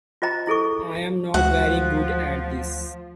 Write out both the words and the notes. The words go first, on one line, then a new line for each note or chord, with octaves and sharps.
I'm not very good at this.
F4 C5 D#5 A#5
E4 G#4 A4 C#6
D2 F3 G#3 F#4 F#5